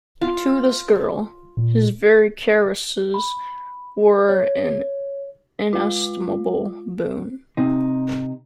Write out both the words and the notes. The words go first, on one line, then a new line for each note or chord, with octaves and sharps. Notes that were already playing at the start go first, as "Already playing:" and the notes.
To this girl his very caresses were an inestimable boon.
F4
A#2
B5
C#5
G#3 F4
C3 D#4